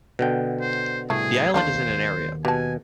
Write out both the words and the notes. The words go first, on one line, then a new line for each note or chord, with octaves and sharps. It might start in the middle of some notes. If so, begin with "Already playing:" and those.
The island is in area.
B2 D3 G5
C5
C2 A2 A3 G#4
D#2 A3 D4 F4 C5
B2 G4 G#5 A5